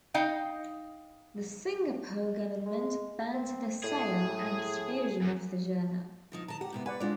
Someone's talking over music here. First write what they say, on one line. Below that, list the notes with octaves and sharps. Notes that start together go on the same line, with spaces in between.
The Singapore government banned the sale and distribution of the journal.
D#4 D#5 F5 G5
G#3
C4
A2 G#4
F#2
B2 F3 D#4
D3 A5 A#5
G4 F#5
G#2 C3 B3
B4 D5 F#5 G#5
G#3 C4 D4 F4 D5